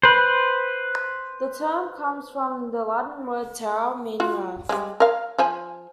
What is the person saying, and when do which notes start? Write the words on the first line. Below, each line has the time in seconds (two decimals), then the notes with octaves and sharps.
The term comes from the Latin word "terra", meaning "earth".
0.03 B4 C5
4.20 F4 F#4
4.69 G3 G#3
5.00 A#4 F5
5.38 F3 C5 G#5